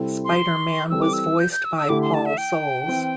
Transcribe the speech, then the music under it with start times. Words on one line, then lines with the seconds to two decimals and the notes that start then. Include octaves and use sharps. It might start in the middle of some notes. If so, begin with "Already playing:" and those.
Spider-Man was voiced by Paul Soles.
Already playing: C3 G3 C4 E4 A4
0.25 C6
0.90 E3 G3 C4 A4 E6
1.02 D6
1.13 E6
1.39 G6
1.52 G6
1.64 E6
1.77 E6
1.89 D3 A3 E4 G4 D6
2.02 C6
2.14 A5
2.26 E5
2.38 G5
2.88 E3 C4 E4